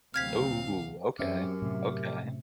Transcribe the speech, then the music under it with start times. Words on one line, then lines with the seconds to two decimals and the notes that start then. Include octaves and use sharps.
Ooh, okay, okay.
0.14 D2 C3 F#3 C4 F5 F6 G#6 B6
1.19 F#2 C4 C#4 G4 A#4 E5
1.62 A2 C3